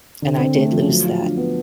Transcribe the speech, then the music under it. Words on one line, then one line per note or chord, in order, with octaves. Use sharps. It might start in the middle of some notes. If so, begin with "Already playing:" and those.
and I did lose that
D3
C4
A3
F3
F#3
F4
D4
B3